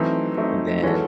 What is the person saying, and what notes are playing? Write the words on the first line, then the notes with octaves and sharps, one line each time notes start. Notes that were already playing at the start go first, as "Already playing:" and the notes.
And then,
Already playing: E3 F#3 A3 C4 D#4
F#3 A3 C4 D#4
E3 G#3 C#4 F#4 A4